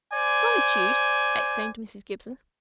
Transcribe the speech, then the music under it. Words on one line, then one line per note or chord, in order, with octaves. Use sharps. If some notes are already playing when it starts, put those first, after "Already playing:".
"Solitude!" exclaimed Mrs. Gibson.
C5 D5 G#5